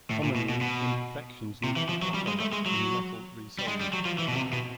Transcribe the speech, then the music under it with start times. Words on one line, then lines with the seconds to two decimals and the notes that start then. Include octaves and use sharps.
Commonly, imperfections need to be cut out, and the metal re-soldered.
0.11 A2
0.23 A#2
0.36 B2
0.49 B2
0.61 B2
1.64 C3
1.77 E3
1.89 F3
2.02 F#3
2.14 G3
2.27 G#3
2.40 A3
2.53 G#3
2.66 F#3
3.59 G3
3.68 G#3
3.81 G3
3.93 F#3
4.05 F3
4.19 E3
4.28 B2
4.35 C3
4.53 B2